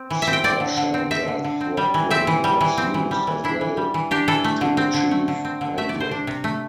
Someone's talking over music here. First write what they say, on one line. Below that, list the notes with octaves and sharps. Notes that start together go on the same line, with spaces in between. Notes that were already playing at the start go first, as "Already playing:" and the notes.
Supercharger throttling was used as well to achieve idling.
Already playing: C4
E3
E5
C4
G5
C4 D5
D3
D3
C4
C4 E5
D3
D3
C4
G3
E3
C4 E5
E3
G3
E3
C4
E3
G3
E3
D4 E4
E3
G3
E3
D4 G4
E3 A4
A3
D3
C4
D3
A3
D3
C4
D3
A3 E5
D5
C3
C5
D4
C3
A3